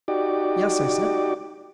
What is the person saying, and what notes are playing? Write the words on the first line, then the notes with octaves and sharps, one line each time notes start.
"Yes," I said.
D#4 F#4 G4 D5